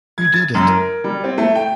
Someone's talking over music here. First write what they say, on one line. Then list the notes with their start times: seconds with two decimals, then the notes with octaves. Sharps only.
Who Did It?
0.18 G#6
0.34 A6
0.55 F#2
0.67 A#4
1.04 G3
1.24 C4
1.38 A3
1.55 G5